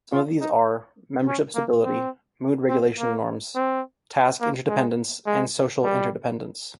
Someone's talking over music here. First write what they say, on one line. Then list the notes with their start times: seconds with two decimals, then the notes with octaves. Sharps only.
Some of these are: membership stability, mood-regulation norms, task interdependence and social interdependence.
0.13 F4
0.41 D#4
1.27 C#4
1.55 A#3
1.84 C4
2.69 C4
2.98 A#3
3.55 C4
4.41 A#3
4.69 G#3
5.26 G#3
5.84 G3